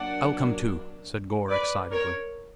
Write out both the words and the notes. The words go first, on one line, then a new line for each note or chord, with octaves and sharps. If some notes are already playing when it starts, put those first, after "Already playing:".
"I'll come too," said Gore, excitedly.
Already playing: F#3 A#3 D4 D5 F#5
B4 D5
A#4 C#5